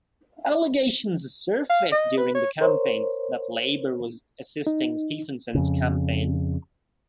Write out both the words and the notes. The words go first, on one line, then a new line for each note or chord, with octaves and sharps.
Allegations surfaced during the campaign that Labor was assisting Stephenson's campaign.
F5
D#5
B4
C#5
A#4 C5 C#5
D#4
F2 C#3